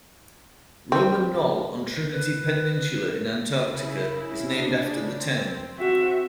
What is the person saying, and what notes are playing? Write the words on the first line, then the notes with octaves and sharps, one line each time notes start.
Roman Knoll on Trinity Peninsula in Antarctica is named after the town.
C4
B4
C#3 E4
C#3 D4
C4
F#4 E5